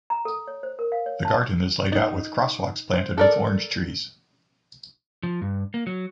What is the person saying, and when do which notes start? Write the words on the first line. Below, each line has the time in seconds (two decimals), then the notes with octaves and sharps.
The garden is laid out with crosswalks planted with orange-trees.
0.10 A#5
0.25 A4
0.48 C#5
0.63 C5
0.79 A#4
0.92 F5
1.06 C#5
1.25 A5
1.92 D#4
2.94 C5
3.18 A4 A#4 D5
5.23 F3
5.41 G2
5.74 A#3
5.87 F#3